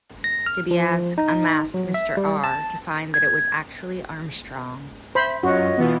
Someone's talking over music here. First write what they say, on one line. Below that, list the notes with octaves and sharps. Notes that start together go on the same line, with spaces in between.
Dibiase unmasked Mr R. to find that it was actually Armstrong.
A#6
F6
F3
D#4
F#3
E5
G3
A5
G#6
C5 E5 B5
F#2 F4 F#4 C#5 D#5
B2 E3 B3 F4